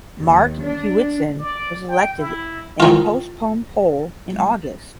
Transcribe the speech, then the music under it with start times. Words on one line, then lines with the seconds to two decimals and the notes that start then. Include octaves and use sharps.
Mark Hewitson was elected in a postponed poll in August.
0.19 D#2
0.63 D4
1.39 D5
1.89 G5
2.18 E4
2.80 D#3 F4